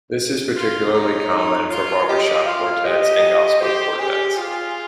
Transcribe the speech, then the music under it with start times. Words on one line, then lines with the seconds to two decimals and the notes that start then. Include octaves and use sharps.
This is particularly common for barbershop quartets and Gospel quartets.
0.55 F4
0.93 D#4 C#5
1.69 F4 C#5
2.08 G4 D#5
2.46 F4 F5
2.84 G4 D#5
3.60 G4 C5
3.99 G4 G#4
4.37 F4